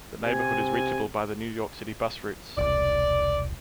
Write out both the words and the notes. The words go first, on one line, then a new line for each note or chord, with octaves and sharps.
The neighborhood is reachable by the New York City Bus routes.
C3 G#5
E1 C2 D5